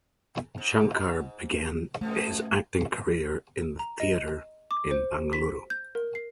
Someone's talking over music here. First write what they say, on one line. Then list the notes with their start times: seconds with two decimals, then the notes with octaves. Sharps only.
Shankar began his acting career in theatre in Bengaluru.
0.58 G#2
2.01 F2 B2 F3 A3
3.79 A#5
4.00 D#5
4.71 D6
4.91 C5
5.33 B6
5.70 G6
5.95 A#4
6.15 C7